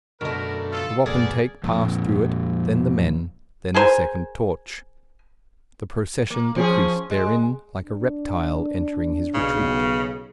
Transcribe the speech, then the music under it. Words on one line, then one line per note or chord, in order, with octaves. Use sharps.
The wapentake passed through it, then the men, then the second torch. The procession decreased therein, like a reptile entering his retreat.
F#2 B2 D3 A3 A#4
F4 A4
F#2 B2 A3 G#4 A#4 D5
F2 A#2
G#4 A#4 C5 G#5
A#3
F3 C#4 G#4
G#3
D4
B1 C#3